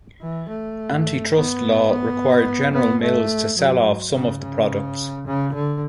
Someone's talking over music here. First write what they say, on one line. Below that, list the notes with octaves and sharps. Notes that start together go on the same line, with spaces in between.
Antitrust law required General Mills to sell off some of the products.
E3
A3
B3
B3
B3
A3
F#3
C#3
C#3
C#3
D3